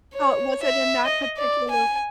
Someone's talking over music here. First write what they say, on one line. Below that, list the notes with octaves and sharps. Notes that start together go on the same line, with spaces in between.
Oh, was it in that particular
C#5
E5
D#5
D5
G#5